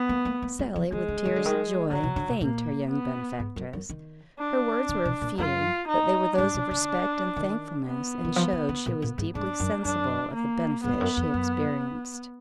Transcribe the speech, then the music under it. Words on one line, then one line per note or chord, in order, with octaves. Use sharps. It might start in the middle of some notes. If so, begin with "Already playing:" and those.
Sally, with tears of joy, thanked her young benefactress; her words were few, but they were those of respect and thankfulness, and showed she was deeply sensible of the benefit she experienced.
Already playing: B3
A#3
A#3
A#3
G#3
F3
D#3 G#3
D3
D#3
D3
D#3
D3 F#3
B2
D3
B2
A#2 A#3
B3
G#2
F#2
F#2
D#3
D4
D3
B2
A#2
F#2 F4
D#4
G#2 D4
B2
D3
D#3
B3
D#3
F3
D#3
D3
A#2
A#2
G#2
G#2 D4
F#2
F#2 D4
A#3
G#2 B3
F2
F#2
F2
F#2